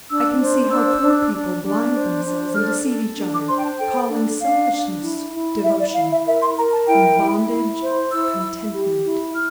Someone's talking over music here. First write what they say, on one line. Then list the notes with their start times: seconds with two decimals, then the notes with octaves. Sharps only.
I can see how poor people blind themselves and deceive each other, calling selfishness devotion, and bondage contentment.
0.09 D4 E6
0.40 C5
0.71 D4 E6
1.01 D4
1.33 D4
1.63 D4
1.94 C5
2.25 D4
2.55 A4 F6
2.87 A4
3.17 D4
3.33 D6
3.48 C5 C6
3.59 G5
3.64 A5
3.79 A4 G5
4.10 D4
4.41 D4 F5
4.72 D4
5.02 E4
5.33 E4
5.64 E4 E5
5.80 D5
5.95 E4 F5
6.11 E5
6.26 A#4 E5
6.42 C6
6.56 A#4 A#5
6.73 A5
6.87 E4 G5
7.19 E4
7.49 E4
7.81 C5
8.11 E4 E6
8.42 E4
8.74 G4
9.04 E4
9.34 E4 F6